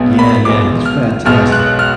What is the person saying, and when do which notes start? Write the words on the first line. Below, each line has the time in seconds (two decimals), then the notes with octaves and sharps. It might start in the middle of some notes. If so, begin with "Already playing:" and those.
Yeah, yeah, he's fantastic.
Already playing: B1 B2 G#3 B3
0.19 B5
0.45 B1 B2 G#3 B3 D6
0.85 F6
1.25 B1 B2 G#3 B3 F6
1.52 F#6
1.79 F6